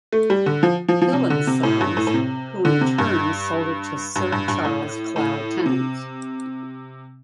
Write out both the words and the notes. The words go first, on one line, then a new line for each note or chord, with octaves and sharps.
Hill and Sons, who in turn sold it to Sir Charles Clow Tennant.
A3
G3
D3
F3
F3
F3
C3
D3
C3
A2
G2
A2
A2
C3
D3
C3
G2
G2
G2
G2
A2
A2
C3